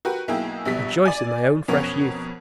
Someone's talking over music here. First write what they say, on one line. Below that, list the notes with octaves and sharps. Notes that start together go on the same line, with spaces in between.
"Rejoice in thy own fresh youth!"
F#4 G4 A#4 B4
B1 A#3 E4 G#4 G5
A#1 B2 G3 B6
D5 G#5
F2 B2 C#4 A#4 C#5 F#5